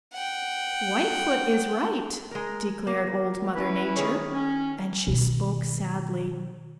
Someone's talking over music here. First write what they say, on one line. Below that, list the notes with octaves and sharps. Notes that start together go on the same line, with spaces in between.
"Whitefoot is right," declared Old Mother Nature, and she spoke sadly.
F#5 G5
G#3 A#4
A#3
C#4 E4 B4
D#3 G#4 C#5
C#4
B2 D#3